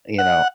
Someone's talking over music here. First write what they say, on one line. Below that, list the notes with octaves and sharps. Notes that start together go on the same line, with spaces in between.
you know,
F#5